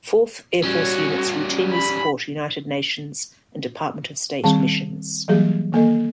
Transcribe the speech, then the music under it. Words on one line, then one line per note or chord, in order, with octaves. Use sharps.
Fourth Air Force units routinely support United Nations and Department of State missions.
G3 C#4 F#4
B5
D#3 G3 C4 G#4 A5
E3 F#3 G3 A#3 G4 G#4
D#3 A#3 A4 D#5